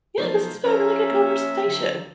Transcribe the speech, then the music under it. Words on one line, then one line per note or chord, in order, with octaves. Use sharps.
yeah, this has been a really good conversation.
B2 F3 F#3 A3 D#4 C5
F3 C#4 A#4 E5 A#5 F6
A#3
D3 F#3